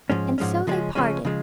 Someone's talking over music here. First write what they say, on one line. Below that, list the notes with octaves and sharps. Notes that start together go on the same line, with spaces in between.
And so they parted.
G#2 F3 G#3 C#4
G#2 F3 G#3 C#4
C#3 F3 G#3 C#4
C#3 F3 G#3 C#4
C#3 F3 G#3